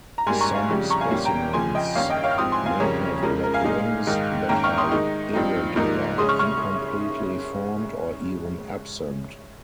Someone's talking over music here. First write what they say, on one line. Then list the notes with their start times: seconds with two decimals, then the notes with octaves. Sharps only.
Some specimens may have black rings that are irregular, incompletely formed or even absent.
0.18 A#5
0.27 G#2 G3 A#3 G#5 C6
0.40 A#5 C#6
0.55 F5 G#5
0.70 F2 C#3 G3
0.90 A#5 C#6
1.01 F5 G#5
1.11 A#2 G3 A#3 C#4
1.25 G5 A#5
1.53 F2 C#3 F3 G#5 C6
1.75 D#5 G5
1.95 G2 D#3 A#3 C#4 C#5 F5
2.10 D#5 G5
2.24 C#5 F5
2.31 F6
2.38 G#2 F3 C4 C6 D#6
2.52 G#5 C6
2.66 F5 G#5
2.80 F2 C#3 G3 C#4 A#4 C#5
3.23 C#3 F3 G#3 C#4 A#4
3.43 A#4
3.54 F5 G#5
3.64 A#2 G#3 D#4
4.07 G#2 D#3 G#3 D#4
4.49 G#2 D#3 A#3 C#4 G5 A#5
4.64 C#6 F6
4.78 C6 D#6
4.92 D#3 G#3 D#4
5.33 G2 F3 C4 D#4
5.76 G#2 F3 A#3 D#4
6.18 C#3 G#3 C#4 C6 D#6
6.29 C#6 F6
6.39 C#6 F6